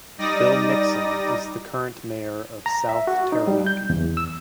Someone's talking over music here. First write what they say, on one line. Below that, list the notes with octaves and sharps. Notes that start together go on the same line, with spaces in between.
Phil Nixon is the current mayor of South Taranaki.
G3 D#4 D5 D#6 A#6
A#5
E5
F#4
D#4
G3
G6
E2
E6